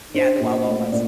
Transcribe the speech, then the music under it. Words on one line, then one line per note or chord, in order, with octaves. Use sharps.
Yeah, the Wild Wild West.
D4 C5
A#2
A3
A#2 D5